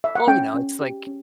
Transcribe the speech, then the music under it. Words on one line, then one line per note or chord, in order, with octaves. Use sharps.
Well, you know, it's like
E5
F#5
C#4 G5
C#4
G4
C#4